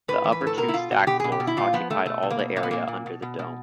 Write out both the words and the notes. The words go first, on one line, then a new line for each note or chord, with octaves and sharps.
The upper two stack floors occupied all the area under the dome.
A2 B4
E3
B4
A2
A4
B2 A#4
E4
B2 F4
B2 F#4
B2 G4
B2 G#4
G4
B2
E4
A#2 F4
F3 B3
A#2 A3
B2 A3
B2
A#3
B2
A#2 A#3
B3
A#2 A#3
A#2
B2
B2
B2